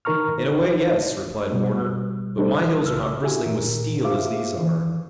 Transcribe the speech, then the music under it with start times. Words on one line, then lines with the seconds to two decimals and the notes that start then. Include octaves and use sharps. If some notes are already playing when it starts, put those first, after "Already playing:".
"In a way, yes," replied Warner, "but my hills are not bristling with steel as these are."
0.05 D#3 D#4 A#4 A#5 C#6 F6
0.38 C5
1.53 B2 G3
2.38 G3 D4 D#4 A4 C5
2.85 C2 C#3 E6 F6
3.22 E4 F#4 G4 E5 G#5
3.46 A#2 D#3 A#4
4.04 F4 G#4 C5 E5 F5 D6
4.58 D#3 E3